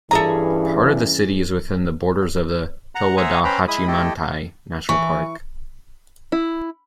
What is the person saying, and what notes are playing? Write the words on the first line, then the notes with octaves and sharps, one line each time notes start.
Part of the city is within the borders of the Towada-Hachimantai National Park.
G2 E3 C#4 G#4 A4 E5 A#5
F#5 A#5
C5 E5 F#5 G#5 A#5 D#6
C#4 B4 C5 G5 A#5 B5
G#3 E4 B5 D#6
A3 E4 G4 A4 D#5 G5
E3 C#6
E4